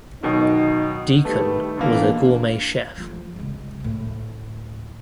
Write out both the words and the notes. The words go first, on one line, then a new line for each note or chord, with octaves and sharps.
Deacon was a gourmet chef.
B2 D#3 F#3 D#4
D#3 G3 A3 B4
B2 D3 E3 A#3
F3 A3
C#3 G#3
D2 A2